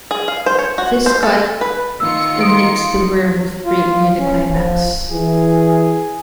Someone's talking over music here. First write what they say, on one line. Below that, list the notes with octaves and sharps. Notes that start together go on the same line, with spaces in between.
This cut omits the "werewolf break" near the climax.
G#4
F5
C5
C#5
F#4
C5
A4
B4
D#3 F4 E6 C#7
C6 D#6 D7
F4
C#4
F3
E3 G#4